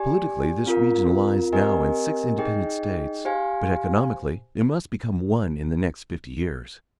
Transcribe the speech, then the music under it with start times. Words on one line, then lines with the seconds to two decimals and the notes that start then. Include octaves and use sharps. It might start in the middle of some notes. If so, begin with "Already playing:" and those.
Politically this region lies now in six independent States, but economically it must become one in the next fifty years.
Already playing: G4 D5 G#5
0.66 C4 F4 A#4
1.52 C4 G4 A#4 D#5 G#5
2.38 D#4 G#4 D#5 G5
3.25 G4 C5 F5 G#5